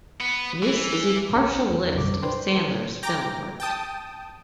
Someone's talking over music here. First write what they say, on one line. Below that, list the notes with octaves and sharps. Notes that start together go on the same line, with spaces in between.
This is a partial list of Sandler's film work.
B3
E3
B1 C#4 C#7
E2
B1 F#2 D3 G3 D6
D4 B4 C5 G5 C6
G5 A#5 D6 A#6
G5 A5 D#6